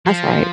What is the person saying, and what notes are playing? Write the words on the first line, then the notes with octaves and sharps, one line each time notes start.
That's right.
F3